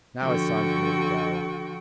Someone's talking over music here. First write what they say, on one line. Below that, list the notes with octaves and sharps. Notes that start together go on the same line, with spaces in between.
Now it's time for me to go.
D3 F3 F#4 A4 G5 C#6